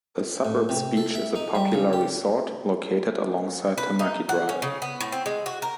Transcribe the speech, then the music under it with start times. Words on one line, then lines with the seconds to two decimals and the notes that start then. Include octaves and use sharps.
The suburb's beach is a popular resort, located alongside Tamaki Drive.
0.45 A2
0.69 C3
0.97 A4
1.15 E5
1.36 D#4
1.55 G3
1.73 C#3
1.93 G4
3.78 B4
3.99 D#4
4.29 F#5
4.49 C#4
4.62 C#3
4.82 B3
5.00 A2
5.12 C4
5.26 G#3
5.46 F#4
5.62 A#4